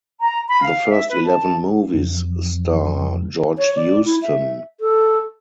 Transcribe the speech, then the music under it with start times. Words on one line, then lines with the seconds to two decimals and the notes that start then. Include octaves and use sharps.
The first eleven movies star George Houston.
0.21 A#5
0.48 B5
0.62 F5
0.90 E5
1.09 B4
1.24 A5
1.94 F2
3.58 C#5
3.75 D5
4.05 E4
4.22 E5
4.80 A4